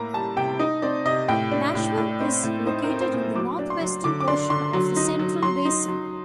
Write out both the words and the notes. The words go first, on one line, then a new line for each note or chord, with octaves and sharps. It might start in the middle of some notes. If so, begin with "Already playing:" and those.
Nashville is located in the northwestern portion of the Central Basin.
Already playing: A2 A#3 A#5
G3 A5
C3 G5
D#4 D#5
C4 D5
C3 D#5
A2 G5
D4
A2
A2
C4
A2
D#4 C5
A#4
C4
C5
A#2
F#3 D6
D4
C6
F#3
D3 D6
D6
D4 C6
D3 C6
F#3
D#4
F#3
F#3 C6
D#4
F#3